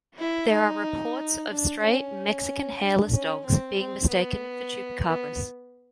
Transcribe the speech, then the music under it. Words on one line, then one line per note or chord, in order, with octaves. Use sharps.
There are reports of stray Mexican Hairless Dogs being mistaken for chupacabras.
E4
D#4
D4
C#4
D4
C#4
C4
C4
B3
B3